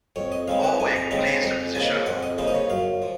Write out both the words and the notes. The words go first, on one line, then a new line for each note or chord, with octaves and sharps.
Orwig plays the position of goalie.
F2 C#5
D#5
C#3 G#3 C4 D#4 F5
F#5
F2 G#5
A#5
C#3 G#3 C4 D#4 A#5
G#5
F2 A#5
C#3 F3 A#3 D#4 G#5
F2 F#5
D#5
C#3 F3 A#3 D#4 C5
D#5
C#5
F#2 F5
F3